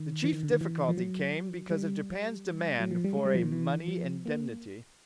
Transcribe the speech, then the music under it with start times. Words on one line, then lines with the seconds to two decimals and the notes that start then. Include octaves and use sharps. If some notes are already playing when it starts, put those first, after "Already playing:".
The chief difficulty came because of Japan's demand for a money indemnity.
Already playing: D#3
0.24 E3
0.33 D#3
0.43 D3
0.51 D#3
0.61 E3
0.89 F3
0.98 F#3
1.71 G3
2.79 F#3
2.91 F3
3.04 G3
3.16 G#3
3.25 G3
3.35 F3
3.43 D#3
3.52 E3
3.88 F3
4.26 A#3